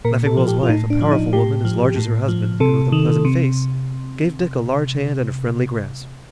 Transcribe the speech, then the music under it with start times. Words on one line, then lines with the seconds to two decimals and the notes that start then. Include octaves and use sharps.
Leffingwell's wife, a powerful woman, as large as her husband, and with a pleasant face, gave Dick a large hand and a friendly grasp.
0.05 A#2 A#4
0.26 A4
0.37 F3
0.48 G4
0.63 F4
0.69 A2 D#4
0.90 D4
1.01 F3
1.11 D#4
1.33 A2 G4
1.65 F3
1.96 A2
2.28 F3
2.60 C3 A4
2.92 D#3
3.25 C3